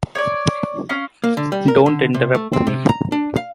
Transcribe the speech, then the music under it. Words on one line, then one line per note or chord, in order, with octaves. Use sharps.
Don’t interrupt me.
C#5 D5
C#4 F5
A#3
D3
G3
A#4
D3
C3
A3
C4
C3
A#5
D4
F5